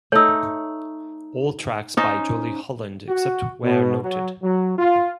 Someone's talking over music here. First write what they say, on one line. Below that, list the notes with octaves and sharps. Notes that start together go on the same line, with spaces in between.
All tracks by Jolie Holland except where noted.
A3 D#4 C#5 E6
C#4 D#4 C5
F#4
B2
F#3
F#3
F4